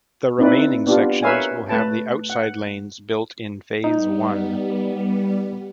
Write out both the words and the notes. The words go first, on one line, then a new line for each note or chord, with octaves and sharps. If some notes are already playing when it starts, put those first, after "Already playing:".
The remaining sections will have the outside lanes built in Phase One.
C4 D#4 E4 B4 D5
B3 D4 F4 G4
A#4 B4 C#5 E5 F5 G#5
A3 B4 A5
F#5
G3 B3 D#4